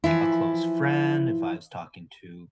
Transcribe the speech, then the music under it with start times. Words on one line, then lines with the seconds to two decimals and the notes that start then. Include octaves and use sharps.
a close friend, if I was talking to
0.04 E3 F3 E4